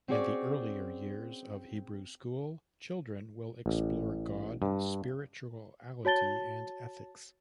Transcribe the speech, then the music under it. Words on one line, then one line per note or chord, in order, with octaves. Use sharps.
In the earlier years of Hebrew school children will explore God, spirituality and ethics.
C4 C#4 F#4 G#4 D5
A1
G2
F#4 C#5 A5 A6 G7